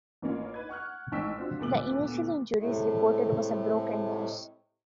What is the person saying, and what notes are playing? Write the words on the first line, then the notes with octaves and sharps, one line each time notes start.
The initial injuries reported was a broken nose.
A1 A#3 C#4 F4
D#4 B4 G#6
F#5 C#6 F6 F#6
A1 G#2 G5 C#6 E6 B6
C4 D4 F4 F#4
D2 A#2 A3 B3 D6 F#7
A2 C3 G#3 A3